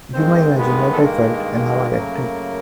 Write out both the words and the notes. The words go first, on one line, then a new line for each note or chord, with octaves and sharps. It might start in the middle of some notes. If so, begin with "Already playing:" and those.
You may imagine what I felt and how I acted.
G2 D#3 G#3 C4 C5
B3 B4
A4
A#3 A#4
F#2 C#3 F#3 A3